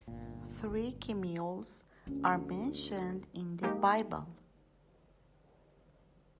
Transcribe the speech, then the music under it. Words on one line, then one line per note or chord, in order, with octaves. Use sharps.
Three Kemuels are mentioned in the Bible.
G1 A#2
D2 C#4
G#3 A#3 D#4 G4